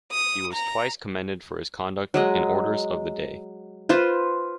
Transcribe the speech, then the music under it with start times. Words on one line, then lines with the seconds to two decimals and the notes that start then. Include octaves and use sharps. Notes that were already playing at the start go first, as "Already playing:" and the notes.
He was twice commended for his conduct in orders of the day.
0.12 D#6
0.52 A#5
2.14 F#3 G#3 D#5
3.89 F4 B4 C5